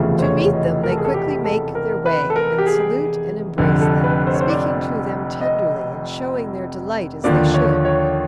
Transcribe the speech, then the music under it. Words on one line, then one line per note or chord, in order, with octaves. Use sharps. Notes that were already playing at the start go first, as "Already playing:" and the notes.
To meet them they quickly make their way, and salute and embrace them, speaking to them tenderly and showing their delight as they should.
Already playing: F1 E2 C#3 F3 A3
C5
C#5
D#5
A#4
A4
G#4
A4
G4
A4
A#4
B4
A4
A#4
G4
G#4
F1 F2 D3
A4
B4
C5
C#5
C5
D5
D#5
D#2 D3 F3 A#3 D5
C#5
C#5